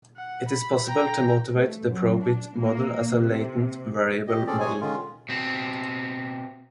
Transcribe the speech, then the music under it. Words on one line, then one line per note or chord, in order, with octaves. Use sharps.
It is possible to motivate the probit model as a latent variable model.
F#5
B5
G5 A#5
A3
F#2
D4
A#3
C3
G4 D#5
C4 C#4 G#4 A4 D5
C3 G#3 G#4 C#5 G#5
D3 D#3 G#3 C#4 F4
B2 C4